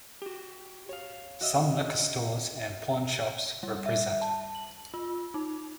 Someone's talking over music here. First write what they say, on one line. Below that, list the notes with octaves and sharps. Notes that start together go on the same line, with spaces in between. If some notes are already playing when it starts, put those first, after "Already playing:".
Some liquor stores and pawn shops were present.
F#4 G4
C#5 F5
F#4 D#5 E5
G3
E5
A5
F#7
F4
D#4